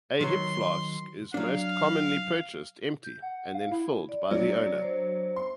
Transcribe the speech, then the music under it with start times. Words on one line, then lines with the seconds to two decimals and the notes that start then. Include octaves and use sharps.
A hip flask is most commonly purchased empty and then filled by the owner.
0.21 D#3 F#3 C#5 C6
1.34 F#3 D4 F5
3.04 G6
3.22 F#5
3.54 F5
3.72 E4
4.09 D5
4.31 F#3 D4
4.82 C5
5.36 C6